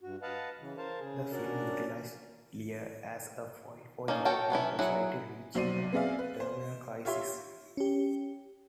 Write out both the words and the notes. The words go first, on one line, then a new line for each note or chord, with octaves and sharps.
The film utilized "Lear" as a foil for European society reaching a terminal crisis.
G2 F#4
B4 D#5 F5 F#5 A5
C#3 E3
A#4 C5 F5 A5
C#3 G#4
C#4 D4 F#4 A#4 D5
A#3 C#4 D#4 F4
F#4 A4 C#5 F5 G5
F#3 B3 C#4 E4
F#3 E4 G#4 F#5
B1 F#3 C5 D5 C7 D#7
B3 C4 G#4 D5 E5 F5
B4
C5
F4 G4 C#5 E5 C6
C#4 G4